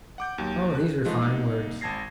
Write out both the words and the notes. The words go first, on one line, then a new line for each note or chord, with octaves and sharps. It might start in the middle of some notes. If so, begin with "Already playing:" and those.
"Oh, these are fine words."
F#5 D6 G6
D#2 F#3
F#6
E3 F3 G#3 A3 D#4 F4
C2 A#3 D#4
G#1 A5 G#6 A#6 C7